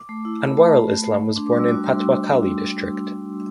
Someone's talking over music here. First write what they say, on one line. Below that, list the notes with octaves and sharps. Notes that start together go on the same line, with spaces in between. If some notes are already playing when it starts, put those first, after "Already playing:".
Anwarul Islam was born in Patuakhali district.
Already playing: D6
A3
E4
A3
B5
A3 A5
A3 B5
A3
A3
A3
D4 C6
D6
G3 E6
F#4 D6
G3 C6